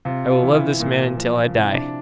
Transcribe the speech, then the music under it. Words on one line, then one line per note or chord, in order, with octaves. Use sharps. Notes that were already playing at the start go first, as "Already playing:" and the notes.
I will love this man until I die.
C3 F4
F4
E3
E4
A#2
F3
C3 E4
D4